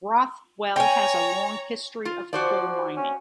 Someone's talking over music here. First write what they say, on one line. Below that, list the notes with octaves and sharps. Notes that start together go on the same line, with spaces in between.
Rothwell has a long history of coal mining.
C#5 G5 G#5 A#5
F4
F3 F#4 C5 D5
C#4